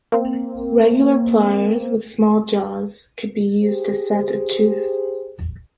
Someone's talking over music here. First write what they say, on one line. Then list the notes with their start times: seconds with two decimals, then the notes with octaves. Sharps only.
Regular pliers with small jaws could be used to set a tooth.
0.12 A#3 C4
3.63 G4 G#4 C5